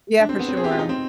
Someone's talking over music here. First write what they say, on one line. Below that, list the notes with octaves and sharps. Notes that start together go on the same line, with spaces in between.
Yeah, for sure.
D4
C4
B3
C4
G#4
G4
F4
D#4
C4